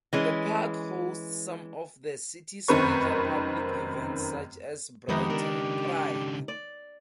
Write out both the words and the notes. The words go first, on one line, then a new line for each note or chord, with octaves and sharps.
The park hosts some of the city's major public events such as Brighton Pride.
E3 G#3 C#4
F1 F#2 D#3 C4 B4 C#6
F2 D#3 G#3 B3 D#4 G4
C#3 D4 A#4
D5